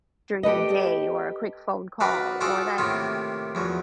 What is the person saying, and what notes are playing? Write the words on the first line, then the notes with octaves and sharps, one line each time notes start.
during the day, or a quick phone call, or that
G4 A4 B4 D#5
D#4 F#4 B4 D5 D#5 F5
F4 F#4 G#4 A4 C#6 D6
A2 C3 D#3 A#3 D#4 F4
E2 F3 F#3